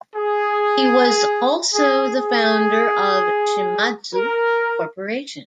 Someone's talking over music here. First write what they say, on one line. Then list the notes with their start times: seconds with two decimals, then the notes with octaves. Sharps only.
He was also the founder of Shimadzu Corporation.
0.15 G#4
1.74 G#4
2.15 G#4
4.14 A#4